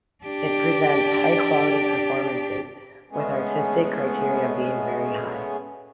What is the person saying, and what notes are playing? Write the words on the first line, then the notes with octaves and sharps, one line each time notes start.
It presents high quality performances, with artistic criteria being very high.
D4 G4
G#3 A3 B3 C#4 G#4